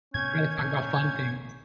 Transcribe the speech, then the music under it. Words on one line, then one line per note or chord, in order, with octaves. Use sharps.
rather talk about fun things,
A2 C3 B3 C#4 G6 G#6
A1 A#2 A#3 G6